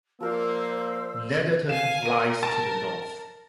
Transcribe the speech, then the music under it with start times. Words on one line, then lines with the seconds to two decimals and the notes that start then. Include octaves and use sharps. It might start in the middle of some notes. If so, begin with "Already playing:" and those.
Netherton lies to the North.
0.20 F3 A#3 A#4 C5 D5 E6
1.69 F5 G#5 E7
2.05 A#4 D#7
2.43 A5